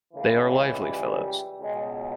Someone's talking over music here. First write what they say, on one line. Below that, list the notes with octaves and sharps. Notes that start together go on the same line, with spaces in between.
They are lively fellows.
C#2 C#3 E3 A#3
G#3
G3
C#2 B2 G#3